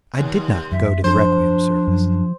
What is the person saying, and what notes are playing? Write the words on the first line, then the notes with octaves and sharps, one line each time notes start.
I did not go to the requiem service.
D#2
F#2 E5
F3 D4 C5
F#2